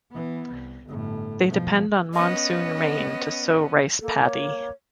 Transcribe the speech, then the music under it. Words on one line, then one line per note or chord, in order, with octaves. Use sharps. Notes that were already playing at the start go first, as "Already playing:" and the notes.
They depend on monsoon rain to sow rice paddy.
E3 B3
C2
G1 A2
B2 F3
B3 C#4 D#5
A#3 A4
C#5